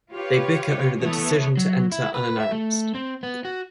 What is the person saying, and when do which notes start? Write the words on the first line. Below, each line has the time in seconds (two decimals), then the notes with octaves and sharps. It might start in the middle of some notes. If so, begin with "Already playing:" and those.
They bicker over the decision to enter unannounced.
0.12 F4 G4 B4 C#5
0.99 E3 A3 B3 C#5
1.57 F#3
1.92 E4
2.14 B4
2.40 E5
2.52 A3
2.95 C4
3.23 B3
3.45 F#4